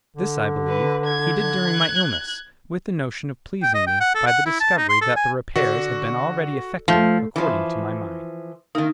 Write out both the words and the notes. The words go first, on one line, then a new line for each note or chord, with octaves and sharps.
This, I believe, he did during my illness, with the notion of pleasing me by the discovery that the repairs had been already effected according to my mind.
D3
B4
G#6
F#6 G#6
G5
D#5
G5
F#5
A4
F#5
E4
A5
D#4
C6
A4
G#5
D3 F#4
F3 A3
E3 F3
D#3 A#3 D#4